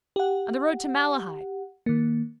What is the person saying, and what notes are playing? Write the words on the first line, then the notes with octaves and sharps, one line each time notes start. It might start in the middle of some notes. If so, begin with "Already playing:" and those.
On the road to Malahide.
G4 F#5
D#3 A#3